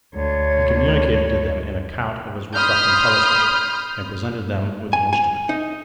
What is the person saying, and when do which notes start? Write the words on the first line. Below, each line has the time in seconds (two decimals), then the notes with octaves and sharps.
He communicated to them an account of his reflecting telescope, and presented them with the instrument.
0.15 D2 C#5
2.54 B5 C6 D#6 F6 G6
4.93 G#5
5.13 G#5
5.49 D#4